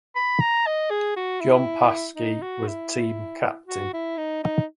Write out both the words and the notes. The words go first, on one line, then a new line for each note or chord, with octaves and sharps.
John Paske was the team captain.
B5
A#5
D#5
G#4
F#4
E4
D#4
F#4
E4
F#4
E4
D#4
D#4